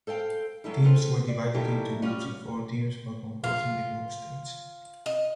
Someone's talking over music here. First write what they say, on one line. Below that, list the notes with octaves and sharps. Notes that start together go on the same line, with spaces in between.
Teams were divided into groups of four teams for composing the group stage.
A4 C5 F5 G5
F#3 A3 C#4 E4 A4
C4 E4 F4 A4 B4 C5
D5
B2 D#3 F#3 E4 G4 A4
G3 C#4 F4 F#4
F4
D#5